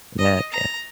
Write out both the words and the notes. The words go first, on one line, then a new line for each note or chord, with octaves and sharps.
Yeah, yeah.
D#5
A#5